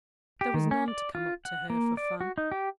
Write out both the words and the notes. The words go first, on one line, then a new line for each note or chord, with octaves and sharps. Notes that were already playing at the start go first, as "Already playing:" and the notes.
There was none to come up to her for fun.
G4
D#3
C#4
D5
F4
F#5
A#3
D5
F#4
D#4
G4